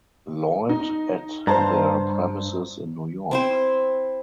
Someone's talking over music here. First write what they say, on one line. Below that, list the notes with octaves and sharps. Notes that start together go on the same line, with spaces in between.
Lloyd at their premises in New York.
D#4
G2 C5 A5 A#5
C4 E4 C5